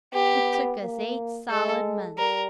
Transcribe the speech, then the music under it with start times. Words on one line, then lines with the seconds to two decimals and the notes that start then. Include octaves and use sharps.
It took us eight solid months.
0.13 B3 G4
0.82 A#3
1.50 G#3 A4
2.18 G3 A#4